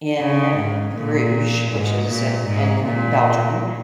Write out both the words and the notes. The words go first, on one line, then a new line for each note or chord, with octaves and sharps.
in Bruges, which is, eh in Belgium,
C#3
G#2
A#2
G#2
A#2
G#2
A#2